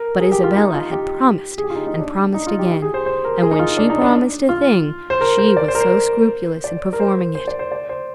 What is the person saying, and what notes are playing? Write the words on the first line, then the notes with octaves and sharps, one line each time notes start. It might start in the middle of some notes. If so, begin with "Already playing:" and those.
But Isabella had promised and promised again; and when she promised a thing, she was so scrupulous in performing it!
Already playing: A#4
G#4
G4
F4
D#4
F4
G4
G#4
G4
F4
D#4
D#4
D4
D#4
F4
G4
G4
G#4
C5
C5
A#4
G#4
D#4
F4
D4
D#4
D4
F4
C5
A#4
C5
D5
C5
A#4
C5
D5
A#4
C5
C5
C5
D5
C5
D5
C5